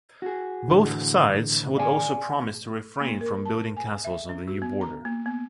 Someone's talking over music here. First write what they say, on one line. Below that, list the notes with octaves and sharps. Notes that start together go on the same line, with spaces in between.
Both sides would also promise to refrain from building castles on the new border.
F#4 G#4
A2 D3 E3
D5 F5 G#5
A#3
A#4
A5
G#5
E5
C#4
F#4
B3
A#5
A#3
B3